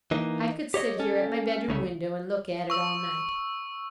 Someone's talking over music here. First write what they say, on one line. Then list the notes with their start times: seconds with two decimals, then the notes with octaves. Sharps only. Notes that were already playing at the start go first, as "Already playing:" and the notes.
I could sit here at my bedroom window and look at it all night.
0.11 E3 A#3 D#4
0.74 G4 C#5 D#5
0.99 C#4 A4
1.68 C2 C#3 A3
2.70 C#6 E6